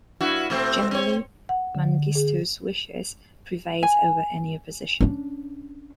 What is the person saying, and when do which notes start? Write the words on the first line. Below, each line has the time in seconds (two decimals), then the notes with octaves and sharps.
Generally, Mengistu's wishes prevailed over any opposition.
0.20 G2 E4 F#4
0.50 B2 A3 C4
0.91 C4 C#5
1.49 F#5
1.75 D3
2.15 G#4
3.83 G#5
5.01 C#4 D4